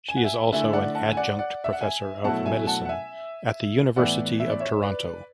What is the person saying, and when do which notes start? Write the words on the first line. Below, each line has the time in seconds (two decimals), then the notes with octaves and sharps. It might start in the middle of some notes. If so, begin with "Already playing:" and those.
She is also an Adjunct Professor of Medicine at the University of Toronto.
0.09 G#5
0.16 F#5
0.24 E5 G#5
0.52 D3 A3 E4 E5 G#5
0.73 D5 F#5
0.95 F#5 A5
1.12 G#5
1.17 D5 F#5
1.39 D5 F#5
1.64 E5
1.73 F#5
1.81 E5 G#5
2.24 B2 F#3 A3 E4 F#5 A5
2.46 E5 G#5
2.67 F#5 A5
2.85 F#5
2.89 E5 G#5
3.96 A2 E3 B3 E4 D5 F#5
4.40 E5
4.50 D5
4.60 C#5 E5
4.82 B4 D5